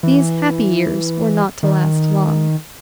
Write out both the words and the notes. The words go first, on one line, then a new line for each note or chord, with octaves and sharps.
These happy years were not to last long.
E3
D#3